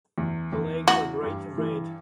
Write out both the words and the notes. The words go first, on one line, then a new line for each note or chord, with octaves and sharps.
The legs are bright red.
E2
E2
E3 F#4
G2
E3